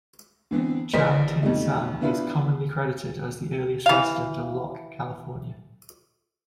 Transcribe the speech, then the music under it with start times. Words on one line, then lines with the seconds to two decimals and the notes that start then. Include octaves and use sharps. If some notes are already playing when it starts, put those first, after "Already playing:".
Chan Tin-San is commonly credited as the earliest resident of Locke, California.
0.51 D3 E3 B3 C4
0.93 A#1 E3 A#4 C5 D#5 B6
1.43 F2 B2 G3 A3 D#4
2.01 B3 D4 E4 F4 B4
3.86 E3 F5